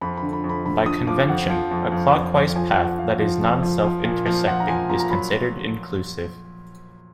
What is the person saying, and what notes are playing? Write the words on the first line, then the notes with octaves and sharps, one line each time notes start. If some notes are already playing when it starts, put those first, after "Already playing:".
By convention, a clockwise path that is non-self-intersecting is considered inclusive.
F2 B5
B5
D3
B5
F2
B5
D3 B5
D3 D#6
F3 D6
F2 F#5
F3
F2
F2
F2
F2
F3 G#5
F3 F#5
F3 F5
F3
F2
F3
F3
A#2
F3
F3 F#5
A#5
F3 G#5
A#2 A#5
A#5
F#3 B5